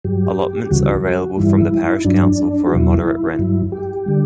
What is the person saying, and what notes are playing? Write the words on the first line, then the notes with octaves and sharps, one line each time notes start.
Allotments are available from the Parish Council for a moderate rent.
G2 F#3 G4
G4
D2 C#3 E3 G3 F#4
G2 E3 G3 E4
G2 F#3 D4
F#4
E2 B2 F#3 E4
G2 F#3
G4
D3 G3